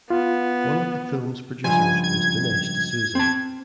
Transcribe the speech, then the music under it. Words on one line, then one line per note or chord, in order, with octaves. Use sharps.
One of the film’s producers was Dinesh D’Souza.
B3 F4
C#2 G2 F3 G#5
G#6
C4 A5